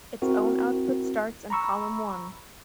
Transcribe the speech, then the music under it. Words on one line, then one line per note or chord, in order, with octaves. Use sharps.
Its own output starts in column one.
C4 E4 F#4 A#4
A#5 B5 C#6 E6